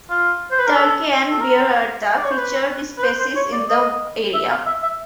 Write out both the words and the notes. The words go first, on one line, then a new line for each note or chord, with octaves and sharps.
Turkey and bear are the featured species in the area.
F4
C5
B4
A#4
A4
A4
A#4
D5
C#5
C5
B4
B4
C5
C5
C#5
D5
D#5
E5
F5
E5
E5